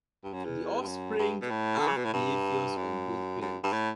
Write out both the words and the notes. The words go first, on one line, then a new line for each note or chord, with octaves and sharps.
These offspring have behaviors of both parents.
G2
F#2
E2
G2
F#2
G2
B2
A2
D3
C#3
B2
A2
G2
F#2
F#2
G2
A2